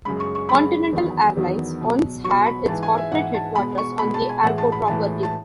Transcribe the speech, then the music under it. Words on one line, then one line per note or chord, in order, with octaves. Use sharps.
Continental Airlines once had its corporate headquarters on the airport property.
F#2 C#3 G#3 B5
C#6
C#6
F#2 C#3 G#3 B5
E2 D#3 F#3
E2 D#3 F#3
B2 F#3
F#3 C#6
B2
B5
G#2 E3 G#3 A5
G#5
E5
G#2 E3 G#3 F#5
A5
B2 G#3 B5
C#6
B2 G#3 B5
A5
G#5
A2 E3 G#3 F#5
A5
B5
A2 E3 G#3 A5
A5